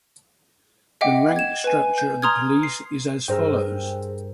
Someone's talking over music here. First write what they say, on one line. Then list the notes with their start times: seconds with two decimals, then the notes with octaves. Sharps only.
The rank structure of the police is as follows.
1.01 D#5 E5 F#5 G5 D6
1.36 G#6 E7
1.64 B4 G#5
1.98 G6
2.22 A#5 C6 D#6 F6 G#6
2.63 C7
3.28 G2 G#4 A#4 C5 G5 E6